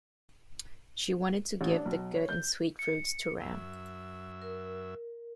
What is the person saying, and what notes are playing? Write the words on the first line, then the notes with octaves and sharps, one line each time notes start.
She wanted to give the good and sweet fruits to Ram.
A1
D4
B1
C#5
G6
C#7
F#2 E5
A#4